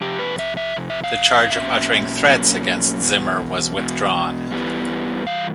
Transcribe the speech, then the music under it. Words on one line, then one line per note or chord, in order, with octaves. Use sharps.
The charge of uttering threats against Zimmer was withdrawn.
F2 C3 G4
B4
E5
E5
F2 C3
E5
F5
B2 F#3 A#3 C#4 E5
B2 F#3 A#3 C#4
E2 B2
E2 B2
G2 E3 G3 B3
G2 E3 F5